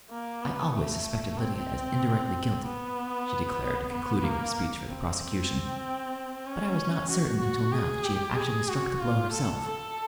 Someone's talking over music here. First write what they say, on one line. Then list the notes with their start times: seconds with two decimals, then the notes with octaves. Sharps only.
"I always suspected Lydia as indirectly guilty," she declared in concluding her speech for the prosecution, "but I was not certain until now that she had actually struck the blow herself."
0.11 A#3
0.42 B3
0.74 A3
1.38 C4
2.65 B3
3.92 B3
4.24 A#3
4.88 C4
6.46 C#4
7.10 F#4
7.41 F#4
7.73 G#4
8.05 G4
8.36 G#4
8.68 F#4
9.00 F4
9.32 A4
9.63 A4